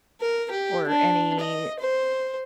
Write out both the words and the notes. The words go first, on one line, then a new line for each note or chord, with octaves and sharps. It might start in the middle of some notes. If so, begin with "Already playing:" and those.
or any
A#4
G4
D4
D#5
C5